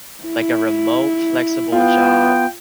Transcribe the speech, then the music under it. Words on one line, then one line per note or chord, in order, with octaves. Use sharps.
like, a remote flexible job,
E4
B3 F4 G5